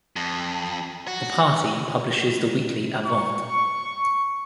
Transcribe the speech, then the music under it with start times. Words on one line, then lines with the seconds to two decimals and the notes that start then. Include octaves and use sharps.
The Party publishes the weekly Avante!
0.16 F2
1.07 F#4
3.07 C#6